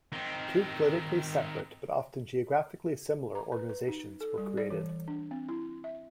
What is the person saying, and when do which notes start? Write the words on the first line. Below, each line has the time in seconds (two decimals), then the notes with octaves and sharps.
Two politically separate but often geographically similar organizations were created.
0.12 D#3 C4
3.35 A#5
3.52 B4
3.69 B4
3.88 D#4
4.20 A4
4.38 G3
4.57 D5
4.70 E3
5.08 D4
5.31 C4
5.49 E4
5.84 E5